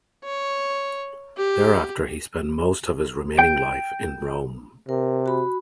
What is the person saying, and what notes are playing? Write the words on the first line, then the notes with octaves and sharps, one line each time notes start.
Thereafter he spent most of his remaining life in Rome.
C#5
G4
G5
C3 A#4
F#4 B5